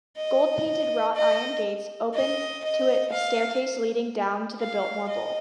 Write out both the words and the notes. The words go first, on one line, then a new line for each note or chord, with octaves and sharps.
Gold-painted wrought iron gates open to a staircase leading down to the Biltmore Bowl.
D#5
D#5
D#5
D#5
F5
F5
D#5